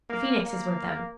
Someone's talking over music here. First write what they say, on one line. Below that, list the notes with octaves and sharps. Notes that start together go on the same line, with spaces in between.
The Phoenix is with them.'
A#3
A#3